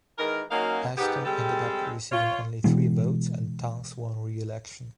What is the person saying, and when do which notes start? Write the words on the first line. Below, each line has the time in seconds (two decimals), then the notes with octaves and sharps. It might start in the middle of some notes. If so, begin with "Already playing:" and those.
Ashton ended up receiving only three votes and Tonks won re-election.
0.18 D#3 E3 G#3 A#4
0.51 F#3 A#3 C#4 D#4 F#4 F5
0.98 G#2 B3 G4
1.25 G3 G#3 C4 G4 A4
2.12 F4 C#5
2.64 B2 E3 G#3